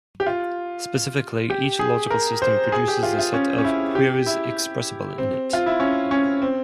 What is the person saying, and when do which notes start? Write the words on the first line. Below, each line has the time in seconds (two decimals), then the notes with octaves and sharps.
Specifically, each logical system produces a set of queries expressible in it.
0.20 G4
0.26 F4
1.50 G4
1.79 G#4
2.11 A#4
2.42 C5
2.72 G#4
2.88 G4
3.03 F4
3.19 F4
3.34 C#4
3.58 C#4
3.64 E4
3.95 G4
4.27 E4
5.18 C4
5.53 F4
5.66 E4
5.80 C#4
6.11 C#4
6.42 C4